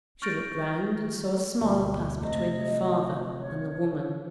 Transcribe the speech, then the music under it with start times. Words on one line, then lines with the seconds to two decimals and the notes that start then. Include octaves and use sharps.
She looked round, and saw a smile pass between her father and the woman.
0.22 C#6 F6 G6 A6 A#6 D7
1.61 D2 B2
2.21 C3 A3 C4 D#5
3.38 C#5